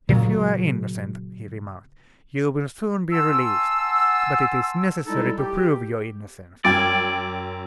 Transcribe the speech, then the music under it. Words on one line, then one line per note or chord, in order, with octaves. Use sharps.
"If you are innocent," he remarked, "you will soon be released: but it is necessary to prove your innocence."
A#2 C#3 F#3
F#5 G#5 A5 C6 E6
G3 G#3 D#4 E4 A4
G4
F#2 D5 G5 G#6